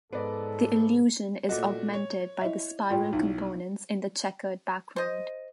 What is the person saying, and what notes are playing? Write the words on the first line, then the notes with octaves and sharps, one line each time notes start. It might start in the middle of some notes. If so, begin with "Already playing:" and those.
The illusion is augmented by the spiral components in the checkered background.
G#2 B3 A4 D5 D#5
A#2 A3 F#4 D#5
C#5
E4 D#5 E5
A2 F4 G5
B1 D#4 E4
C5 D#5